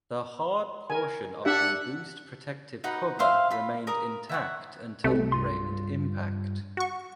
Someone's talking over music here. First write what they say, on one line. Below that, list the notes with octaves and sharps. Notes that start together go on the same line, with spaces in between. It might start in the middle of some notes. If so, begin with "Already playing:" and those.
The hard portion of the boost protective cover remained intact until ground impact.
A#4 G#5
D4 G4 E5 F#5
D#4 F#4 B4 F#5
C5 E5 F5 C6
F4 B5
A#4 D#6
E5 F#5 C#6
C2 C3 A3
G2 F4 C6
F#4 C#6